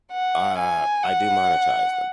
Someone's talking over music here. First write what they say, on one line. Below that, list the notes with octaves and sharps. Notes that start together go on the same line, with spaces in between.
uh, I do monetize them.
F#5
G#5
F#5